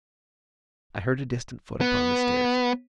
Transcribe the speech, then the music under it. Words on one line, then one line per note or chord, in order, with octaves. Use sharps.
I heard a distant foot upon the stairs.
B3